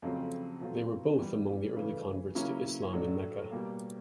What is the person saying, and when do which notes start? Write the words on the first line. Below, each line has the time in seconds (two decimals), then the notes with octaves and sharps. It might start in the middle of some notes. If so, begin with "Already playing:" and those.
They were both among the early converts to Islam in Mecca.
0.02 F2 C#3 F#3 A3 C4
0.61 B2 F#3 A3 C4 F4
1.19 E3 G3 B3
1.76 C#3 E3 A3
2.35 C#3 F#3 A#3 C#4 E4
2.93 A2 F#3 A3 D4
3.51 B2 G3 A#3